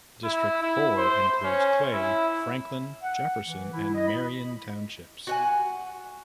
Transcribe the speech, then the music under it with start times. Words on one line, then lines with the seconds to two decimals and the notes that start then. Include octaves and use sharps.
District Four includes Clay, Franklin, Jefferson, and Marion Townships.
0.24 E4
0.62 E4
0.97 C5
1.44 C#4
1.93 E4
3.03 F#5
3.43 E3
3.73 E4
3.95 D#5
4.08 B5
5.27 F#4 F#5 G#5